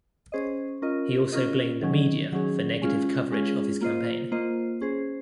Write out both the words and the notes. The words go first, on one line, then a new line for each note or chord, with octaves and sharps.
He also blamed the media for negative coverage of his campaign.
C#4 G#4 C5 D#5
C#4 F4 A#4 D#5
C#4 F4 A#4 D#5
D#3 F#3 C#4 G#4
D#3 F#3 C#4 G#4
G#3 C#4 F4 G#4
G#3 C#4 F4 G#4
A#3 F4 C5 D#5
A#3 F4 C5 D#5
C#4 G#4 C5